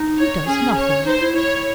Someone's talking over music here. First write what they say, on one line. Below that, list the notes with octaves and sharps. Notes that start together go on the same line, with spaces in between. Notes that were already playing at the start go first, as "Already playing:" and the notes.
He does--nothing.
Already playing: D#4
C#5
C#4 G#4
C#5
D#4 C5
E4
E4 C#5